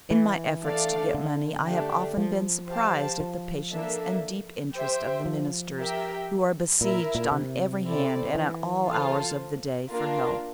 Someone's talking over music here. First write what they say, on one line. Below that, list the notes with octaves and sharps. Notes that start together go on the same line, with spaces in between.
In my efforts to get money I have often been surprised at the patience and deep interest of the ministers, who are besieged on every hand and at all hours of the day for help.
E3
A3 D4 A4 D5 F5
D3
A3 D4 G4
F3
G4 C5 F5 A5
F3
A#3 D4 A4 E5
G4 C5 E5 G5
F3
G4 A#4 E5 G5
A#2 E4 A#4 E5
A#2
C3
C4 E4 A4 D5
E3
F4 A4 C5 F5 A5
A#3 D4 F4 A#4 F5